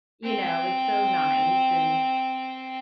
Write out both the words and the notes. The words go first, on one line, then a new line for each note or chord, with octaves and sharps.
you know, it's so nice, and,
C4 G5